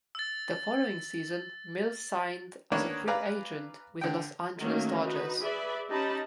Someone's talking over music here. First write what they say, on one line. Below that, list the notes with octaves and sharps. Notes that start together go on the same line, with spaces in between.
The following season, Mills signed as a free agent with the Los Angeles Dodgers.
E6 A6
D#3 A#3 B3 D4 B4 C#5
B4 D5 F5 G#5 A#5
D3 G5
D#3 F#3 A3 A#3 C#4
D#4 F#4 B4
G#4 B4 D5 E5 B5
C#4 D#4 G4 D#5 A5 B5